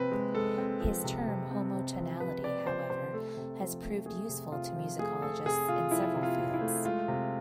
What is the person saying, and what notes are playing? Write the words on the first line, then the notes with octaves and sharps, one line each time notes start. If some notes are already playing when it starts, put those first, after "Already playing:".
His term "homotonality", however, has proved useful to musicologists in several fields.
Already playing: C3 F3 C4 B4
G#3
G#3 A4
C4
F3
C3
C3
C4
C3
F3
C3 B4
C4 D5
F3 C5
C3 C5
A3 A4
C3
F3
A3
A3 G#4
C3
C3 F4
F3
A3 G#4
A3 A4
C3 G#4
C3 F4
F3 E4
C3
F4
C3
E4
A3
G#3 F4
C3